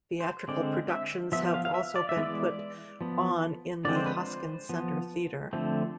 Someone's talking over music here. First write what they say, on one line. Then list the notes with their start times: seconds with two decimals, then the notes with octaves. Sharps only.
Theatrical productions have also been put on in the Hoskins Centre theatre.
0.20 C5
0.48 D3 G#3 C4 D5
0.90 E5
1.32 F3 B3 E5
1.54 F5
1.65 F5
1.74 E5
1.96 D5
2.09 E5
2.16 E3 G#3 B3
2.23 D5
3.01 F3 B3
3.85 D3 F3 G#3 C4 D5
3.96 C5
4.06 B4
4.15 C5
4.69 F3 B3
5.53 D3 F3 A3 C4